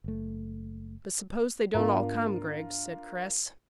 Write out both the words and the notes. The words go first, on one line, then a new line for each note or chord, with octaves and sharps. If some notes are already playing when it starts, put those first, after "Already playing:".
"But suppose they don't all come, Griggs?" said Chris.
F#1 A3
G#2 B3 D4 F4 A#4